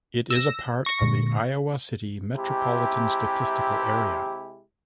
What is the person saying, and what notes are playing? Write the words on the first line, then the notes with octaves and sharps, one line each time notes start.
It is a part of the Iowa City Metropolitan Statistical Area.
E6 A#6
C#6 A#6
A#2 D3 G#3
C3 G#3 E4 G4